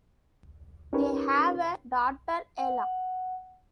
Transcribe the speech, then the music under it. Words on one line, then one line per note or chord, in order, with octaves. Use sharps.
They have a daughter, Ella.
C#4 D#4 G4 A#4 B4 C#5
F#5